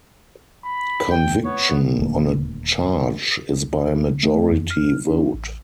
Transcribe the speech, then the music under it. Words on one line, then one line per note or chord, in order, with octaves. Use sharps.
Conviction on a charge is by majority vote.
B5
G5
B3 C#5
D#1 D2 A#3
A3
F2
F6
D4
A1